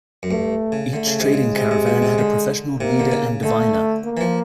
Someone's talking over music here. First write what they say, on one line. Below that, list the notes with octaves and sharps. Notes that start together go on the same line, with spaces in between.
Each trading caravan had a professional leader and diviner.
F#2
G2 A3
C#3
D3 A3
C#3
C3 G#3
C#3
C3
C3
B2
C3
D3
C3 A#3
D3
C#3
D3 A3
A#3
E3
F3